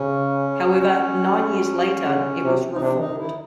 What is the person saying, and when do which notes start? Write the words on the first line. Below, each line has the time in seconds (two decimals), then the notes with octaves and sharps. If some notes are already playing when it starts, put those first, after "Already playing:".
However, nine years later it was reformed.
Already playing: C#3 C#4
2.06 C#3
2.44 C3
2.74 D#4
2.81 C3 D4
2.99 D#4
3.18 E4